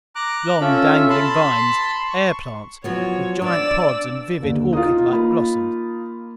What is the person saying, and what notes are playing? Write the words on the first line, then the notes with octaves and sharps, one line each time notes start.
Long, dangling vines; air plants, with giant pods and vivid orchidlike blossoms.
A#5 D6 F#6
C#4 F4 A4 E5
A5 B5 C6
C#6
F3 F#3 B3 C#5
D4 D5 E6
D#2 D3
D#4 F4 D#6
A#3 B5